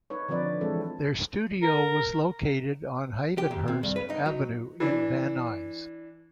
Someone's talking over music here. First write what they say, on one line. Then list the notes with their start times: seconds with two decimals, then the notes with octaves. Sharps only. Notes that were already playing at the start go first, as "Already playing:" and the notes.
Their studio was located on Hayvenhurst Avenue in Van Nuys.
0.10 D#4 B4 C#5
0.28 D3 F3 C4 B4 D5
0.61 E3 G#3 C4 A4
1.62 A#4
3.38 G4
3.51 D#2
3.68 C3
3.83 G2
3.96 B4
4.10 D#4
4.26 F#3
4.80 E3 D4